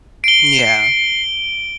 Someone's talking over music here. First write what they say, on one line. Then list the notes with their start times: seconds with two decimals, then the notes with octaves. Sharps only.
Mm, yeah.
0.24 C7 D7 G7